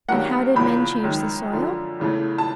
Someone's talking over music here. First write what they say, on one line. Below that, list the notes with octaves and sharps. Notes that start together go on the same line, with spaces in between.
And how did men change the soil?
G2 D#3 F#3 A#3 F#5
E2 C#3 F3 A#3 B5
F#2 D#3 G#3
F#2 D3 F3
E2 C#3 E3 A3
A5